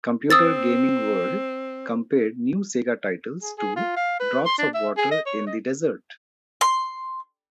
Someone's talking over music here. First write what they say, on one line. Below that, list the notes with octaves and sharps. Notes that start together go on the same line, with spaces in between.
"Computer Gaming World" compared new Sega titles to "drops of water in the desert".
C4 D#6 E6 A6
G#4
G#4
F4
F5
B4
C6
D4
E5
G#4
D#5
C#5
D#5
C6